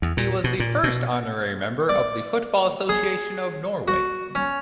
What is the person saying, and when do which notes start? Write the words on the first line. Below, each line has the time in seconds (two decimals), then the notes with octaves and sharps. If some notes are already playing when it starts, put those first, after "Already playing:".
He was the first honorary member of the Football Association of Norway.
0.02 E2
0.17 A#2
0.44 B2
0.60 A#2
0.83 B2
1.89 D5
2.89 G#4
3.88 F#4
4.35 C#4